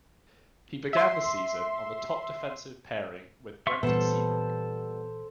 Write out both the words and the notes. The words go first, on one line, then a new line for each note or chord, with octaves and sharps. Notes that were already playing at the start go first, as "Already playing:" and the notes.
He began the season on the top-defensive pairing with Brent Seabrook.
E5 C6
E5 C6 C#6
A#2 E3 G3 B3 A4 C5 A5